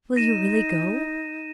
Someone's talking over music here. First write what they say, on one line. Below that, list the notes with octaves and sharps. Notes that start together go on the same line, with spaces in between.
'Will you really go?
D#4 A#6 D#7 E7